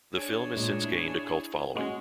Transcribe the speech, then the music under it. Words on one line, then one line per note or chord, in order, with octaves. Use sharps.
The film has since gained a cult following.
D4 G#4 C#5
A#2 G#3 D#5
E4
G#3 C#4 F#4